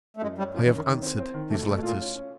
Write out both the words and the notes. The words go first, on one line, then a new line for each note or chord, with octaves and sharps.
I have answered his letters.
A3
F#2 G#3
G3 C#4
F#2 F3
E3
C#4
D#3
D#3
C4
C4
D#3
C3 A3
B2
C3 A3
B2
A#2 F4
C#4
C#4